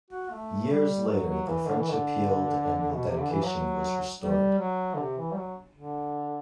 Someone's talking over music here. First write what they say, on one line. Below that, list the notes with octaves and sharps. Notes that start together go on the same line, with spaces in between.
Years later, their friendship healed and the dedication was restored.
F#4
A3
G3
F#3
F#3
E3
D3
E3
D3
B2
C3
D3
E3
F#3
G3
F#3
D3
C3
E3
G3
F#3
D3